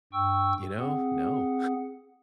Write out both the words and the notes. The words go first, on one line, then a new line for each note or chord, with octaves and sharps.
You know? No.
G2 G5 C#6 E6
C4 G#4 F#5